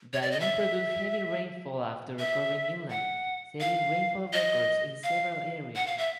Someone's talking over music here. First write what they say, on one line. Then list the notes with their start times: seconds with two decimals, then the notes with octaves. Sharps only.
Diane produced heavy rainfall after recurving inland, setting rainfall records in several areas.
0.13 C#5
0.22 D5
0.31 D#5
0.40 E5
2.19 E5
2.90 F#5
3.60 F5
4.33 D#5
5.03 F5
5.76 F#5
5.87 F5
5.98 E5